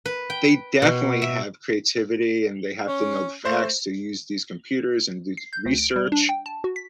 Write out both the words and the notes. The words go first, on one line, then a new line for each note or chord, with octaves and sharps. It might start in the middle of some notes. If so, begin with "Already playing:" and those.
they definitely have creativity and they have to know the facts to use these computers and do research.
B4
G5
B2
E5
C#4
A3 C5
C7
G6
D2
D7
G3
D4
G5
A5
F#4
B6